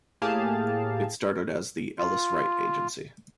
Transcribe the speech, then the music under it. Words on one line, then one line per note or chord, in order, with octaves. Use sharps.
It started as the Ellis-Wright Agency.
A2 A#3 G4 G#4 F5 A5
F4